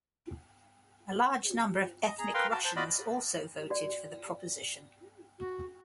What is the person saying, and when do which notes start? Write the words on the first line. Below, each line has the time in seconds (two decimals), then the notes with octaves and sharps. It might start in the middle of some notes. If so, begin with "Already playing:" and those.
A large number of ethnic Russians also voted for the proposition.
2.05 D#5
2.19 G#4 A#5
2.34 A#4 B4 F5 G5 C6
2.51 F#4 A5
2.65 C5 A5
2.76 F4 F#4 D5 D#5 B5
3.70 F#4 D5
5.39 F#4